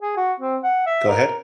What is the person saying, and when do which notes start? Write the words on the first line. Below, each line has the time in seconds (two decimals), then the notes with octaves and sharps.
Go ahead.
0.01 G#4
0.16 F#4
0.40 C4
0.63 F#5
0.86 E5
1.08 A#4